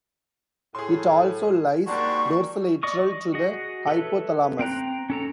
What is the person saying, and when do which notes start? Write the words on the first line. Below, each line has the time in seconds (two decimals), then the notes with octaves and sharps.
It also lies dorsolateral to the hypothalamus.
0.75 A2 G#4 C6
1.87 G#2 G3 A#3 D4 F#4 C#6
2.83 D5 D#5 C#6 D#6
3.34 F#4 G#4 D#5
3.87 A4 B4 C#5 E5
4.59 C4 G5 A#5 F#6
5.10 C#4 A4 A#5